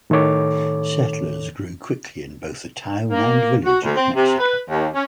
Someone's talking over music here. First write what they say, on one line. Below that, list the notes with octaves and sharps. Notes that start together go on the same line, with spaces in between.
Settlers grew quickly in both the Town and Village of Mexico.
A2 D#3 A4 C#5 D6
A#3
F#4
D2
C4
C3
B4
D#2
C#4